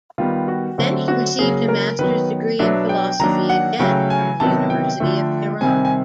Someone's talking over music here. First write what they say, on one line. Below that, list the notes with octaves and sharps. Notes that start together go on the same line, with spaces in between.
Then he received a master's degree in philosophy again from the University of Tehran.
D#3 G3 B3 F4
F#4
D3 F#3 A3 C4 F#4
F#4
C#3 F#3 A#3 G#4
A#4
D#3 F#3 B3 B4
B2 F#3 B3 D4 E5
G5
D#3 F#3 A#3 D4 A#5
F#5
C#3 F#3 A3 G5
G#5
C3 D#3 F#3 B3 A5
G5
D3 F3 A3
C3 D#3 G3 C4 G#5
G#5